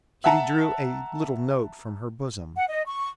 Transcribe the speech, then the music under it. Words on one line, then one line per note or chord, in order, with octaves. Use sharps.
Kitty drew a little note from her bosom.
E5 F#5 A5 A#5
F#5
D#5
C#6